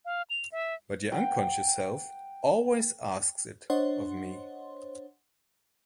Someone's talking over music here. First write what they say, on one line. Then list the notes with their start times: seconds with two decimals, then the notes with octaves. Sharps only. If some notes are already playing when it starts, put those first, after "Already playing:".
But your unconscious self always asks it of me.
0.05 F5
0.30 F7
0.52 E5
1.12 F#5 G5
3.70 D4 C5 C#5 D#5 F#5 C6